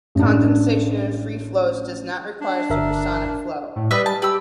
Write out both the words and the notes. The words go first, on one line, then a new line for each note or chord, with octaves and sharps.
Condensation in free flows does not require supersonic flow.
A1 D4
D4
G1 A#4 E5
A2
G3 B4 D#5 E5
A5
G4 B5 E6